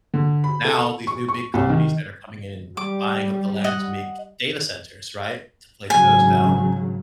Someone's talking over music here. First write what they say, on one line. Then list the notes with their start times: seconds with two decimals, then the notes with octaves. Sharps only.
Now these new big companies that are coming in and buying up the land to make data centers, right, to place those down,
0.14 D3
0.44 B5
0.65 A4
1.07 C#6
1.28 C#6
1.54 C2
1.69 D#3
2.77 G3 D6
3.64 D#5 F#5
5.90 G#1 C#3 F#3 G#5